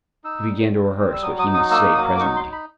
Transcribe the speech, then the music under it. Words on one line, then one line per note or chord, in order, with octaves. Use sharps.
He began to rehearse what he must say presently.
D#4 E6
G3
C4
G3
E6
F#3 D#6
D#6
D#4
D#6
A#3 E6
F#3 D#6
D6
D#4 C#6
C6
D#4
B5